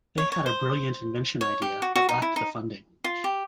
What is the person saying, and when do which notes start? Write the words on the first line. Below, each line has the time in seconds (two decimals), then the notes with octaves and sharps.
They had a brilliant invention idea but lacked the funding.
0.18 C#5
0.32 C#5
0.46 C5
1.41 C#5
1.62 G4
1.82 F#4
1.96 F#4
2.09 D#4
2.22 E4
2.36 D#4
3.04 F4
3.24 G4